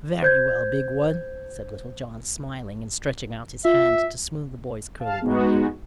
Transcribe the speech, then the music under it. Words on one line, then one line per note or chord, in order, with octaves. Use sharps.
"Very well, big one," said Little John, smiling and stretching out his hand to smooth the boy's curly brown hair.
C5 G6 G#6
F4 E5
F5 A5
G#3 B3 D#4 F#4